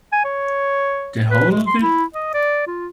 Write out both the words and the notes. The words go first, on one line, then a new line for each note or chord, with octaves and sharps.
The whole of it?.
G#5
C#5
B4
G#3
C6
E4
D#5
D5
F4